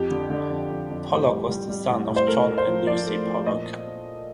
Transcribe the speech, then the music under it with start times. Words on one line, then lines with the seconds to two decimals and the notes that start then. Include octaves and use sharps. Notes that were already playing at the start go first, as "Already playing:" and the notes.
Pollock was the son of John and Lucy Pollock.
Already playing: F2 F3 G4
0.11 D3
0.30 D3
0.50 F2
0.70 F2
0.90 F2
1.09 A2
1.29 G3
1.49 G3
1.69 G3
1.88 A2
2.08 A2
2.16 C5
2.27 A3 A#4
2.48 A3
2.58 C5
2.67 F3
2.87 F3 D5
3.07 A3
3.26 F3
3.46 A#2 D#5